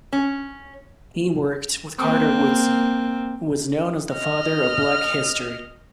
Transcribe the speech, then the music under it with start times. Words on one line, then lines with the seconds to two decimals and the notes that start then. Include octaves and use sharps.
He worked with Carter Woodson, who was known as the "Father of Black History".
0.13 C#4
1.99 A#3 C4
4.12 D#5 F6